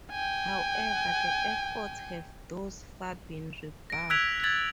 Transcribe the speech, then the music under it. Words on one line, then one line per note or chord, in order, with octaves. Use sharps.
However, the efforts have thus far been rebuffed.
G5 G#5
A#6 D7
E6 F#6 G#6 B6 D7 F7
G#6 A6 F#7